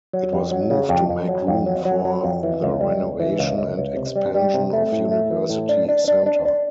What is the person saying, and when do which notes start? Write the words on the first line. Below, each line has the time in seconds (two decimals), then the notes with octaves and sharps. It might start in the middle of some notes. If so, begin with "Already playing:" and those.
It was moved to make room for the renovation and expansion of University Center.
0.13 F#3
0.33 F2
0.51 F#3
0.70 C#3
0.89 F2
1.09 F2
1.28 F#3
1.47 F2
1.66 F#3
1.85 F#3
2.05 F#3
2.24 F2
2.43 E3
2.63 C#2
2.81 G3
3.01 C#2
3.20 E3
3.39 C#2
3.58 C#2
3.77 C#2
3.96 C3
4.16 G3
4.35 G3
4.54 C3
4.73 A3
4.92 A2
5.11 A3
5.31 E3
5.50 A2
5.69 D4
5.88 D4
6.08 D4
6.26 D4
6.45 D4